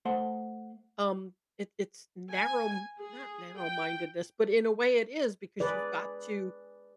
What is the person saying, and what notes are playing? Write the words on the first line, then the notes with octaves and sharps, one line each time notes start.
um, it it's narrow m not narrow mindedness, but in a way it is because you've got to,
A3 C5 F#5 C6
G#5
G#4
G5
G#4 B4 D5